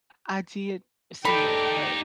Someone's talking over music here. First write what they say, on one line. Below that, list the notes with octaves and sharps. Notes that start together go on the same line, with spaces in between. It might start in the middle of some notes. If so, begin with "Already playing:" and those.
I did see it but
D#4 G4 A4 D5 G5 B5